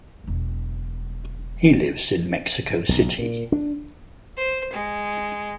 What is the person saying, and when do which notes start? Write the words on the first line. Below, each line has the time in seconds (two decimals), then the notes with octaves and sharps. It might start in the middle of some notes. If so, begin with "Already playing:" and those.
He lives in Mexico City.
0.24 E1 F#3
2.89 B1
3.19 A#2
3.52 D4
4.37 C5
4.73 G#3